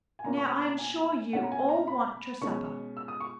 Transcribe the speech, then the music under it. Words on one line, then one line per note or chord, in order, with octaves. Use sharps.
"Now I am sure you all want your supper."
G#5
B2 A#3 C#4 A#5
C#6
B5
A#5
G#5
B2 A#3 C#4 F#5
A#5
G#5
A#5
B5
B2 G#3 C#4 C#6
E6
D#6
C#6